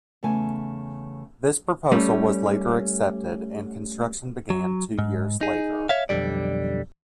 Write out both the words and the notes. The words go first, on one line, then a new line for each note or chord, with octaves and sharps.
This proposal was later accepted, and construction began two years later.
E2 C#3 A3 G#5
G3 A3 C#4
F#3
G#2
D#4 G#4
C#5 E5 F5
B1 F2 A#2 D3 G3 D5